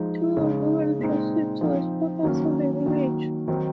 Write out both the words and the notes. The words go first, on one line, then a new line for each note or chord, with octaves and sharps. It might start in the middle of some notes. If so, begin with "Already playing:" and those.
Two old women proceed to a spot outside the village.
Already playing: F3 G#3 D#4
C#3 G#3 D#4
A#2 G#3 C4 D#4
F3 C4 D#4
D#3 F#3 A#3 C#4
D#3 F#3 A#3
D#3 F#3 C4 D#4